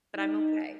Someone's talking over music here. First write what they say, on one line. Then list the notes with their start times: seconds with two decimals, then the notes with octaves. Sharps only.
but I'm okay."
0.17 D#4